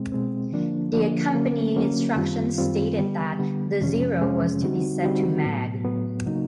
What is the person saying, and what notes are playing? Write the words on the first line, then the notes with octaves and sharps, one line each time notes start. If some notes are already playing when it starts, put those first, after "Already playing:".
The accompanying instructions stated that the zero was to be set to Mag.
Already playing: B2 G#3 C4
B2 G#3 C4
D3 F3 A#3 D4
D3 F3 A#3 D4
D3 F#3 A#3 C#4
D3 F#3 A#3 C#4
F#2 D#3 G3 C4 F4
F#2 D#3 G3 C4 F4
D3 G3 B3
D3 G3 B3
F2 C3 F3 G#3 C#4
F2 C3 F3 G#3 C#4
D3 G3 C4 D#4 F#4
D3 G3 C4 D#4 F#4
A2 F#3 B3
A2 F#3 B3
C#3 F#3 A#3 D#4